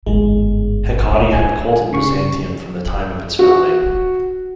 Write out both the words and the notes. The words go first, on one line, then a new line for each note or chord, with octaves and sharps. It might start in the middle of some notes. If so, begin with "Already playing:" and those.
Hecate had a cult in Byzantium from the time of its founding.
G1 G#2 G#3
A3 D4
G#5
C#3 C#6
F#4